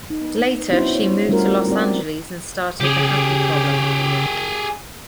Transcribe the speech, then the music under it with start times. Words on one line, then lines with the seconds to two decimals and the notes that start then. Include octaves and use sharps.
Later she moved to Los Angeles and started The Happy Problem.
0.10 D#4
0.70 B3 C#4 D4 E4 F#4 C5
0.95 C#5
1.29 G3 A3 C#4 F4 F#4 A#4
1.68 C4 G4 D5
2.80 C#3 G4 G#4